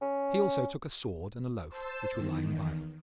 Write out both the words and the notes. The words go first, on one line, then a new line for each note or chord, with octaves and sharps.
He also took a sword and a loaf, which were lying by them.
C#4
C5 A5 E6
E2 D#3